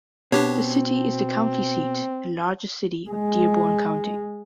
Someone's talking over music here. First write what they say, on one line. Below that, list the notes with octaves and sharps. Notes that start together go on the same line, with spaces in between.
The city is the county seat and largest city of Dearborn County.
B2 C4 D4 G4 C#5
G#3